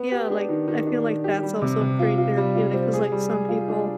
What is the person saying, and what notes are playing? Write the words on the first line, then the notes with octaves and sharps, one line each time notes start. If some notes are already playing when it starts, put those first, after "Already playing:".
Yeah. Like, I feel like that's also pretty therapeutic 'cause, like, some people
Already playing: B3
G4
D4
D#3
D#3
D4
D#3
G4
G3
C3
C3
F4
F4
G3
F4
C4
G#4
G3
G#4
F4
D4